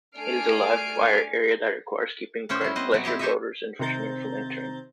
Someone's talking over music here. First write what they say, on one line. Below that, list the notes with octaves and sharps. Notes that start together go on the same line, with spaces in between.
It is a live-fire area that requires keeping pleasure boaters and fishermen from entering.
A3 D4 G#5 F6 C7 D7
A2 C#4 F#4 C5 G5
G3 E4
B3 C4 C5 D#5
B2 F#3
C4 E4 G4 G#4 D#5
G4 A4 C5 C#5 D#5 E5
C3 D#3 C4 A#5 G6 A6